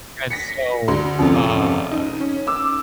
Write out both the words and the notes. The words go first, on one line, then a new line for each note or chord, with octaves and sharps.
And so, uh,
A#6 B6 C#7
D2 F#4 C6
F1 C#2 F#2 C3 F3
D#4
C#4
D6 E6